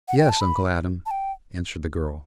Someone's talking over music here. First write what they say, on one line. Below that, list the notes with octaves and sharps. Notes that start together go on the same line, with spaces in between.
"Yes, Uncle Adam," answered the girl.
F#5
G5
A5
B5
A5
G5